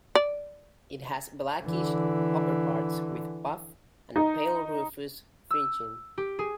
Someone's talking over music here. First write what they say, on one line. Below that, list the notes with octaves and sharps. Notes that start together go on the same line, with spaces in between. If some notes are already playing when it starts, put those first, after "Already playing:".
It has blackish upperparts with buff and pale rufous fringing.
D5
D3 E3
D#4
E6
G4
G#4